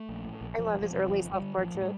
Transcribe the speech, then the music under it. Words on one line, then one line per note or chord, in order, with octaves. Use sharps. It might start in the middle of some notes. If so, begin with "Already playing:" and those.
I love his early self-portraits.
Already playing: A3
A#1
A2
A#1
E1 F3
E1
F3
C3
G1 F3
G1
G3
D3
A1 F3
A2
G3